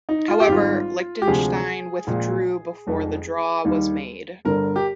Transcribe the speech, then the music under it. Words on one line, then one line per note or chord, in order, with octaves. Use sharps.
However, Liechtenstein withdrew before the draw was made.
D#4
F4
G4
G#1 G#2 G3 F4
G4
D2 C3 F3 G#3 G#4
A#1 A#2 G#3
F1 F2 D#3 G#3
D#2 D#3 G3
G1 G2 D3 A#4
G4